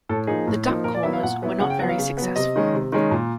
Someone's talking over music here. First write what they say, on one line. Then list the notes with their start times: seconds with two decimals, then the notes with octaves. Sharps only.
The duck callers were not very successful.
0.09 A2 A4
0.27 F3 A#3 D#4 G#4
0.48 A2
0.65 F3 A#3 D#4
0.84 A#2 A#4
0.95 D5
1.03 F#3 B3 E4 E5
1.13 F5
1.23 A#2 F#5
1.42 F#3 B3 E4
1.60 C#3 F#5
1.70 G5
1.79 F#3 B3 F#5
1.89 F5
1.98 C#3
2.17 F#3 B3
2.36 C3 D#5
2.56 D#3 G#3 C#4
2.74 C3
2.92 D#3 G#3 C#4
3.11 A#2